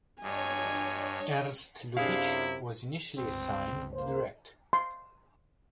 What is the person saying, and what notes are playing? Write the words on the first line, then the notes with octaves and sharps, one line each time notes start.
Ernst Lubitsch was initially assigned to direct.
G2 D4 C#5 D#5 G#5
F#2 C3 D4 E4 G#4 F5
G1 C#2 G2 C4
A#3 C5
C6